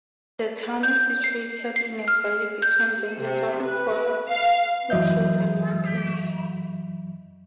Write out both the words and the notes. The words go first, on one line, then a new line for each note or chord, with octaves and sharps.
The town is situated in a valley between ranges of foothills and mountains.
G6
C7
C7
F6
G6
C3
B4
F5
F#2 E3 F#3 D#5 E5 G6